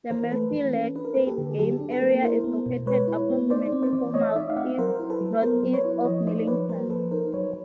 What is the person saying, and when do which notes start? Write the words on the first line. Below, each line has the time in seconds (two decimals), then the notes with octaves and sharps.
The Murphy Lake State Game Area is located approximately four miles east-northeast of Millington.
0.10 E3 A#4 C5
0.32 A3 A4 B4
0.52 E3
0.74 C#4
0.95 D4 B4
1.05 A#4
1.14 A#3 A4 B4
1.27 G4 A4
1.38 D3
1.51 G#4
1.59 F#3 G4 A4
1.81 D4
1.91 A4 B4
2.02 A#3
2.22 E4 A#4 C5
2.44 B3
2.66 B2
2.86 G#3 B4 C#5
3.08 E4
3.30 B3
3.50 D#4 C5 D5
3.72 C4
3.82 C5 D5
3.93 E3
4.14 A3 C#5 D#5
4.35 D#4 D5 E5
4.50 F5
4.56 C4 E5 F#5
4.78 F#3 A#4 C5
5.00 E4
5.10 A4 B4
5.21 F#3
5.42 B3 A#4 C5
5.63 F#3
5.73 B4 C#5
5.85 E4
6.05 F3 C#5 D#5
6.27 D#4 C5 D5
6.48 F3 B4 C#5
6.69 A#3 A#4 C5
6.90 F3 A4 B4
7.11 D#4 A#4 C5
7.33 F#3 B4 C#5